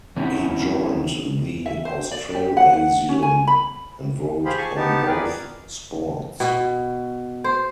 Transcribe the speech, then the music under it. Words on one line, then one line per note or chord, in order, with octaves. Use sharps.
He joined the "Australasian", and wrote on both sports.
E3 C4 C#4 D#4 E4 F#4
E5
C5
D5
G4
F#5
F#5
C#4
G#5
B5
F4 G4 G#4 C5 B5
G#4 G#5 A5 C#6
B3 D#4 G4 A5
G#4 A#4 B4 D5
B2
C5